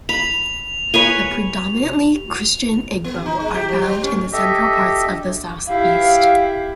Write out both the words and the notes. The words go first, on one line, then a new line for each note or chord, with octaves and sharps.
The predominantly Christian Igbo are found in the central parts of the southeast.
B5 F7
B4 C#5 G#5
B3
D#4
G#3
G4
F3
G3
C#4
G4 A4 D#5 E5
E4 G4 F5